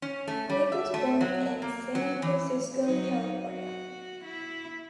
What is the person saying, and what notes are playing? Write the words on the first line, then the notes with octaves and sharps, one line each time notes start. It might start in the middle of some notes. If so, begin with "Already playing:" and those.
Lake was born in San Francisco, California.
C#4
A3
G3
E5
A3
F#3
A#3
F#3
E3
F#3 D#4
F#4
E4